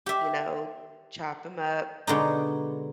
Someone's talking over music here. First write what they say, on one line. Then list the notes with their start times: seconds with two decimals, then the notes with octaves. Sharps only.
you know, chop ‘em up
0.06 G4 E5
2.07 B2 D3 G#3 D#4